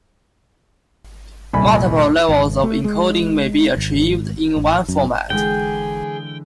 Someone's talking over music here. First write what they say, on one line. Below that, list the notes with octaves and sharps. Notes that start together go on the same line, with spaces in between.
Multiple levels of encoding may be achieved in one format.
D#1 C2 G#5 B5
G#1
A3
G#3
G#1
A1
F#2
D3 E3 G#3 G#4 G5